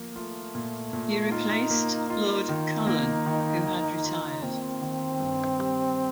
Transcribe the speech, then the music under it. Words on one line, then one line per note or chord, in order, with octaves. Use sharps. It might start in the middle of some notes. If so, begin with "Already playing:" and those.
He replaced Lord Cullen, who had retired.
Already playing: F3 A#3
A3 F4
A#2
A#2
D#4 F4
A#3
D#4 F4
D#3
A#3
D#3
D#3
F4
A#3 C4
D#3
G2
G3